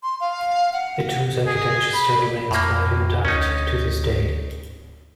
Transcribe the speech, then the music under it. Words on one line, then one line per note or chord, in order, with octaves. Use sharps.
The tomb's architecture still remains quite intact to this day.
C6
F5
F#5
G#4
B5
F2 A2 A#3
D2 C#4 D#4